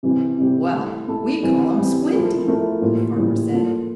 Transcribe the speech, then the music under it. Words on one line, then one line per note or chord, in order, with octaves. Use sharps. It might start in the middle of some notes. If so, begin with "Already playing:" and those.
"Well, we call him Squinty," the farmer said.
C3 E3 G3 C4 G4
C3 E3 G3 C4 G4
A3 E4 A4
A3 E4 A4
E3 G3 C4
E3 G3 C4
F3 A3 E4 A#4
F3 A3 E4 A#4
A2 E3 G3 A#3 F4
A2 E3 G3 A#3 F4
F3 A#3 F4 A4